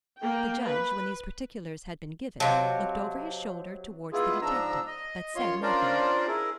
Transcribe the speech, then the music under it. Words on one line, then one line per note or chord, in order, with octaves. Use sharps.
The Judge, when these particulars had been given, looked over his shoulder towards the detective, but said nothing.
A#3 G5
B4
C3 F#3 D#5 F5 A5
G#3 B3 E4 F4 G#4
G#2 F3 D4 A#5 E6
D#5
F#2 F4 C#5 C6
C#4 D4 F4 A#4 C5 D5
E4 G#4 A#4